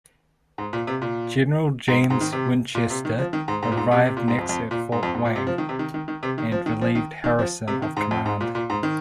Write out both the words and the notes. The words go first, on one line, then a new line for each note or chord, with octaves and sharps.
General James Winchester arrived next at Fort Wayne, and relieved Harrison of command.
G#2
A#2
C3
A#2
G#2
G#2
D#3
C3
A#2
C3
D#3
F3
D#3
G#2
G#2
A#2
G#2
C3
C3
A#2
G#2
F2
F2
A#2
G#2
F2
G#2
A#2
C3
F3
D#3
C3
D#3
D#3
D#3
C3
D#3
F3
D#3
F3
D#3
D#3
F3
C3
D#3
G#2
F2
G#2
A#2
A#2
G#2
D#3